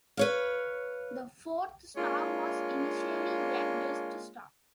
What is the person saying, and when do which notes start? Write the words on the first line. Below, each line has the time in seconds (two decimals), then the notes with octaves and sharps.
The fourth star was initially a guest star.
0.17 B4 C#5 F5
1.96 G#3 A#3 D4 F4 C#5